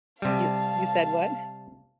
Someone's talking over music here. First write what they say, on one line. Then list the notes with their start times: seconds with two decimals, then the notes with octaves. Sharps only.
You you said what?
0.22 C3 G3 F5 A5